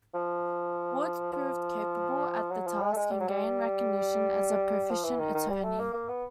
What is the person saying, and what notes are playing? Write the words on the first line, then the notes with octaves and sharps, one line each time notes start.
Woods proved capable at the task and gained recognition as a proficient attorney.
F3
F3
F#3
F3
G#3
A3
G#3
G3
F#3
G3
F3
E3
D#3
D#3
G3
A3
A#3
A#3
B3